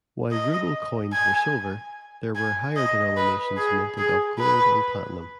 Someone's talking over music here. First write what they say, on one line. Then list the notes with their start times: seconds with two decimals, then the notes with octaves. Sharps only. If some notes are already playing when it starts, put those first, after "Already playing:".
While ruble coins were silver, there were higher denominations minted of gold and platinum.
0.31 D#5
1.12 G#5
2.35 G#5
2.76 D#5
3.17 B4
3.57 G#4
3.98 G#4
4.38 B4